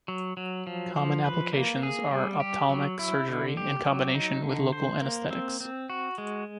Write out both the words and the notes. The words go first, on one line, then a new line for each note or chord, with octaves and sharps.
Common applications are ophthalmic surgery, in combination with local anesthetics.
F#3
F#3
F3
F3
B4
A#3
G#4
G3
G4
F#3
E4
D3
G4
F#3
D#4
D3
C5
A#3
C4
C4
F#4
G#3